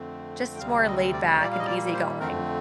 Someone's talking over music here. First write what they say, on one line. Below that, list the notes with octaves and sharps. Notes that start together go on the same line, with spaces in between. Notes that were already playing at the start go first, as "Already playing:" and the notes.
just more laid back and easy-going.
Already playing: F2 D3 A3 C4
G5
D2 C3 G3 C4 F5
D#5
D5
A#2 G3 A#3 D5
F5
D#5
D5
C5
F2 D3 A3 C4 A#4